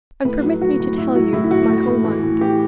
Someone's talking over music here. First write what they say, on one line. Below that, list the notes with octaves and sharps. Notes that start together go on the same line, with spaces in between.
And permit me to tell you my whole mind.
A2 B4
F#3
F#3 F#4
A2
A2 E4
F#3 F#4
A2 E4
E4
A2 F#4
A2
A2
E3
A2
E3 G4